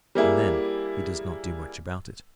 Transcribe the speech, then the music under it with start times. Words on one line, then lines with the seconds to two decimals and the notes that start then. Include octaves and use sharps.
And then he does not do much about it.
0.15 G3 A#3 E4 G#4